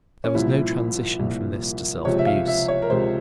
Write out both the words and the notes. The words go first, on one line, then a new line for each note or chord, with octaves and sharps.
There was no transition from this to self-abuse.
C#4
C2 A#2 F3 E4
C2 A#2 F3
C#2 C3 F3 C#5
E5
F5
E5
C#5
A#4
C#2 C3 F3 C5